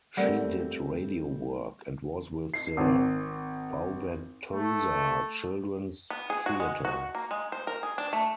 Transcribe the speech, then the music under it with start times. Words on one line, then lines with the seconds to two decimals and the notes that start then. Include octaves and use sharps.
She did radio work and was with the Wauwatosa Children's Theatre.
0.17 G3 A3 C4 A#4 D5 F#5
2.54 C7
2.77 G#1
4.52 A3
6.10 B3
6.30 G#4
6.46 F#4
6.60 G#3
6.85 F#4
7.15 A#3
7.31 G#3
7.52 C5
7.67 A#4
7.83 G#4
7.98 D4
8.13 A3